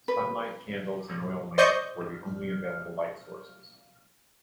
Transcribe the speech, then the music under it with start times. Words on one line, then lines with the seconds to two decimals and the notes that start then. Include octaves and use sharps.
Sunlight, candles and oil lamps were the only available light sources.
0.08 B4
1.58 C5 D5 D#5 C#6 G6